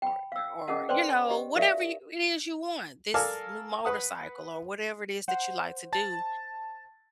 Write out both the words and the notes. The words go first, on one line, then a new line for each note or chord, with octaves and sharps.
or o or, you know, whatever you it is you want. This new motorcycle or whatever it is that you like to do,
G5 B5
F5 E6
C#4 G#4 A#4 D#5 F#5 A5
B4 C5 D5 G5 A5 C6
G4 D#5
D#4 G4 A#4 D5 E5 F5
A4 A#4 D5 F5 G#5 A5
B4 F#5 D#6
C5 F#5
A5 A6